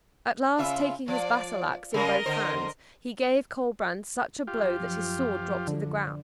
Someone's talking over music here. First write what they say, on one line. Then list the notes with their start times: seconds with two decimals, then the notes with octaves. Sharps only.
At last, taking his battle-axe in both hands, he gave Colbrand such a blow that his sword dropped to the ground.
0.58 C#3 F4 E5
1.08 F3 D5
1.94 C#3 G#3 A#4 D#5
2.26 D3 C5
4.47 F#2 F3 F4 G4
5.67 D3